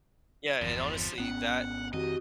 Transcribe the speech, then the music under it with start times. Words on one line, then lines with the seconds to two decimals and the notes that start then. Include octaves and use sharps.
Yeah, and, honestly, that
0.62 G1 E2 F3 G3
1.18 G#1 B3 C#4 F#5
1.93 F2 D#3 C4 F#4 G4 D#5